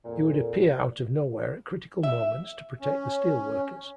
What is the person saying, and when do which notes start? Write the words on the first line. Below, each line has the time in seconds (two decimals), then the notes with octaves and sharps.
He would appear out of nowhere at critical moments to protect the steel workers.
0.05 F2 A#2
2.03 E5
2.81 C#4